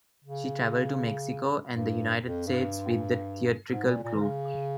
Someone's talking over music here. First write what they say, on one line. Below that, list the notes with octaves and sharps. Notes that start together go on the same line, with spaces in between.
She traveled to Mexico and the United States with the theatrical group.
C#3
G2
F2
G2
G#2
A#2
A#2
E3
C#3